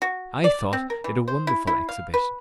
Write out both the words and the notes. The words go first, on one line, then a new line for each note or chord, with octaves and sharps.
I thought it a wonderful exhibition.
F#4
D5
C4
A#4
E3
C5
E4
E4
F5
B4